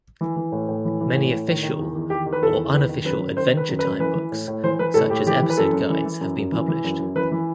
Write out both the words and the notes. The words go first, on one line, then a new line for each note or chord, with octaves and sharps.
Many official or unofficial "Adventure Time" books such as episode guides have been published.
E3
E3
A2
A2
E3
E3
A2
A2
D#3
D#3
E2
E2
D#3 G4
D#3
B4
E2 A4
E2
D#3 B4
D#3
F#2 B4
F#2
D#3 C5
D#3
B4
F#2
B4
F#2
E3 B4
E3
A2
A2
E3 C5
E3 B4
A2 A4
A2 G4
E3 G4
E3
B4
F#2 A4
F#2
E3
E3
F#2
F#2
E3
E3
F#2
F#2
E3 B4
E3